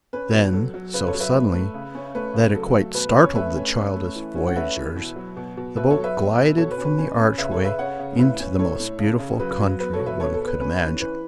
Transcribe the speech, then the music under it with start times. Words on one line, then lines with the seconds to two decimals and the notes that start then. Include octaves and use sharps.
Then, so suddenly that it quite startled the childish voyagers, the boat glided from the archway into the most beautiful country one could imagine.
0.13 C#4 B4
0.33 B2
0.53 F#3 A4
0.74 F#3
0.94 C#3 B4
1.07 A4 C#5
1.14 F#3
1.20 B4 E5
1.33 A3
1.54 A3
1.74 C#3
1.95 C#4
2.15 A3 B4
2.34 C#3
2.54 F#3 A4
2.75 A3
2.94 B2 B4
3.09 B4
3.15 C#4
3.22 C#5
3.35 A3 B4 E5
3.56 C#4
3.75 C#4
3.96 A3
4.16 E3
4.35 C#4
4.47 F#5
4.56 A3 B4 E5
4.76 E3
4.96 B2
5.16 F#3
5.37 B2
5.57 B2
5.76 B2 B4 E5
5.90 A4 C#5
5.98 F#3
6.04 B4 E5
6.18 B3
6.38 B2
6.57 B2 A4 C#5
6.71 B4
6.78 C#4
6.84 B4
6.98 C#4
7.19 C#4
7.38 C#3 B4 E5
7.51 A4 C#5
7.58 C#3
7.65 B4 E5
7.79 C#3 C#5 F#5
7.99 C#3
8.19 A2 B4 E5
8.39 C#4
8.59 A2 A4 C#5
8.79 A2
8.99 C#3
9.19 C#3
9.40 F#3 B4
9.60 F#3
9.80 B3 B4
9.93 A4 C#5
10.00 B2
10.06 B4 E5
10.20 B3 A4 C#5
10.34 A4
10.41 B3
10.47 B4
10.61 C#4 B4
10.81 E3
11.00 E3 B4